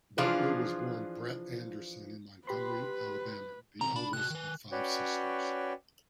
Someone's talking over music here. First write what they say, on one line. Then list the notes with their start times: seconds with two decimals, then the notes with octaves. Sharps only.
Butler was born Brett Anderson in Montgomery, Alabama, the eldest of five sisters.
0.18 E3 F3 D4 F4 G#4
2.47 G4 B4 B5 C6
3.81 B2 D#3 C4 A#5
3.96 D4 D5 B5
4.13 C3 F#4 F#6
4.30 D#3 B4
4.72 C#4 F#4 B4 C#5 D5 G5